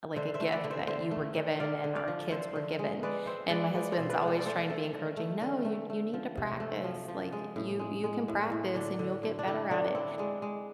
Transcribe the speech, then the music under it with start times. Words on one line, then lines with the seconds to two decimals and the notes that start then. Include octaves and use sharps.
like, a gift that you were given and our kids were given." And my husband's always trying to be encouraging. "No. You you need to practice, like, you you can practice, and you'll get better at it."
0.16 D3 C5 E5
0.34 C5 E5
0.40 A3
0.52 B4 D5
0.64 D3
0.70 C5 E5
0.88 D3 C5 E5
1.11 A3
1.35 D3
1.60 D3 D5 F5
1.84 D3
1.95 D5 F5
2.08 F3
2.31 D3 C5 E5
2.56 D3
2.79 G#3
3.03 G#3 B4 D5
3.26 C4 C5 E5
3.50 G#3 B4 D5
3.74 G#3 B4 D5
3.92 A4 C5
3.98 B2
4.09 B4 D5
4.22 G#3
4.28 A4 C5
4.39 D5
4.45 A3 A4 C5
4.70 A3
4.93 D3
5.17 A3
5.41 D3
5.65 A3
5.90 A3
6.14 F3
6.37 C3
6.60 A3
6.84 F3
7.08 F3
7.32 G#3
7.56 A2
7.79 G#3
8.04 G#3
8.28 A2
8.52 A2
8.75 D3 D4
8.99 D3
9.23 D3
9.39 D4
9.47 D3 E4
9.70 D3 D4
9.95 C4 E4
10.18 G#3 D4
10.42 G#3